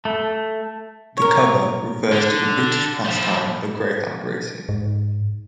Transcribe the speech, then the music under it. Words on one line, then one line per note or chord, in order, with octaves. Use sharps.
The cover refers to the British pastime of greyhound racing.
A3
A#4 C#5
D3
F3 E4
G#2